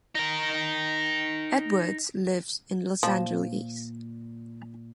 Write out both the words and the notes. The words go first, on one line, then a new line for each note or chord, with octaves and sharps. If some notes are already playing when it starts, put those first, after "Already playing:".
Edwards lives in Los Angeles.
D#4 A#4
A#2 F3